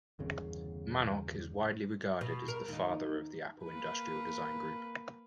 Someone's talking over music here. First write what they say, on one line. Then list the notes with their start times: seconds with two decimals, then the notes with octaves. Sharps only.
Manock is widely regarded as the "father" of the Apple Industrial Design Group.
0.19 G1 E2 C#3
2.21 B2
2.48 A#4
2.68 D#2 D#4
3.64 A#3 B4